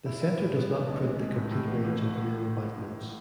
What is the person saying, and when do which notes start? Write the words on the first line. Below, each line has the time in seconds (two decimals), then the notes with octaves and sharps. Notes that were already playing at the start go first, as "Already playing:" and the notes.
The centre does not print the complete range of euro banknotes.
0.06 E4
0.22 E4
0.38 A2
0.55 B3
0.70 D4
0.87 B1
1.03 G#3
1.19 G#3
1.36 A2
1.51 A2
1.68 A1
1.83 A1